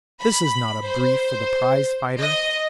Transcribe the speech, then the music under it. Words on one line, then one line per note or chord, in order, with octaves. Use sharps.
This is not a brief for the prize-fighter.
B5
C5
D#5